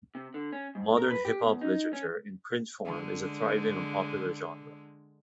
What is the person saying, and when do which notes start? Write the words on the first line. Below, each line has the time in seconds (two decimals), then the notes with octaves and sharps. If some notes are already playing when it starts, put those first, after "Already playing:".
Modern hip-hop literature in print form is a thriving and popular genre.
0.15 C3
0.34 D3
0.53 C#4
0.75 G#2
0.97 A#4
1.10 B4
1.25 G4
1.42 E2
1.61 D#4
1.93 C#4
2.85 D3 G#3